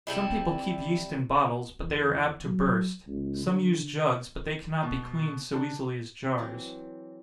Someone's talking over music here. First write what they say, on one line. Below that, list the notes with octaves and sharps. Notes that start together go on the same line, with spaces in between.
Some people keep yeast in bottles, but they are apt to burst--some use jugs, but they cannot be cleaned so easily as jars.
C3 G3 E4
E2
F#3
C#2
D3
B2
D4
E3 F#3 C4